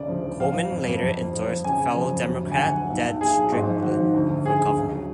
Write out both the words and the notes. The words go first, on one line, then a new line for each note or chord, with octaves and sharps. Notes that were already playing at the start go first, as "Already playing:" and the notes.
Coleman later endorsed fellow Democrat Ted Strickland for governor.
Already playing: D2 C#3 D5
F3
F3
F3 F5
F3
F2
F2
F2
F3
F3
F3
C#3 G#5
C#3
F3
F2
F#3
D2
G#5
D2 F#5
F#3
B1
B1
B1 G#4
F#3
G#2
F3
G#1 F#4
F3
D2
D2
D2 G#4
D2
C#2
F#3